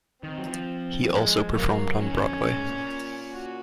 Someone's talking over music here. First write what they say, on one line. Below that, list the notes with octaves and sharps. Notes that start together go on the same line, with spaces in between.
He also performed on Broadway.
D#3 C4
F#3
F3
G#3
F#3 A#3
F#3 C#4
D#3
F#2
F2
F#2
G#2
A#2
A#2
F#4